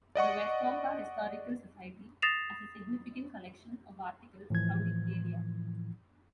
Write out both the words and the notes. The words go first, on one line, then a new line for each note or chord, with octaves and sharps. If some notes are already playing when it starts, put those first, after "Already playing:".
The Westonka Historical Society has a significant collection of articles from the area.
D5 D#5 F#5 C#6
D#6 A6 A#6 C7 E7 F7
A2 E3 F3 G#6